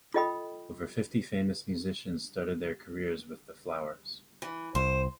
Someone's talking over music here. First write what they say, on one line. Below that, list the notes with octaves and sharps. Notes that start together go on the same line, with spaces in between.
Over fifty famous musicians started their careers with The Flowers.
F4 A4 D#5 G5 B5 D#6
E3
C2 C5